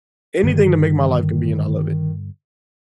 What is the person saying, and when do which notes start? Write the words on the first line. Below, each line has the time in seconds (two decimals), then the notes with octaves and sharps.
anything to make my life convenient, I love it,
0.43 G2 D3 D#3